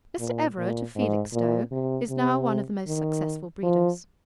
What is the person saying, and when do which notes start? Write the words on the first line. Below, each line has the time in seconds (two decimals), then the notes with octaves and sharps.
Mr. Everett, of Felixstowe, is now one of the most successful breeders.
0.19 A#2
0.57 A#2
0.96 G#2
1.33 A#2
1.71 C3
2.09 C3
2.87 D#3
3.63 F3